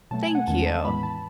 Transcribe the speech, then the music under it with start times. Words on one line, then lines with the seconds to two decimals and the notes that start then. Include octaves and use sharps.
Thank you.
0.11 B2 F#3 A3 A5
0.23 G#5
0.35 F#5
0.48 E2 D#3 G#3 C#4 A5
0.67 A5
0.85 A2 E3 G#3 B3 B5
1.03 A5